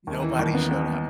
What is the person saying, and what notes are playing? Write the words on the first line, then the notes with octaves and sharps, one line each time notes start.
nobody showed up,
D#2
E3
D#2
B3
B3